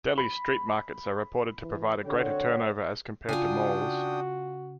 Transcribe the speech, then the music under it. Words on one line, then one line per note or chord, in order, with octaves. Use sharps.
Delhi's street markets are reported to provide a greater turnover as compared to malls.
B5
E3
D3 C4 F#4 C#5
C#3 D4 F4 F#4 G5 G#5 D#6